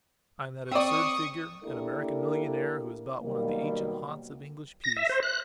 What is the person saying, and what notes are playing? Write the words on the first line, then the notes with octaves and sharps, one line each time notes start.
I am that absurd figure, an American millionaire, who has bought one of the ancient haunts of English peace.
C4 D5 C#6 D#6
A#3 D4 E4 G4 A4 A#4
B2 D#3 F#3 G3 A#3
A#6
E5
C5
F#6